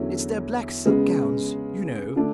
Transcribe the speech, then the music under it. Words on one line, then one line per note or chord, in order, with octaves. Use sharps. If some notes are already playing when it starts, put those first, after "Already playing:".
"It's their black silk gowns, you know."
Already playing: E2 D3 F#3 C#4 E4
C#3 G#3 B3
D3 A3 D4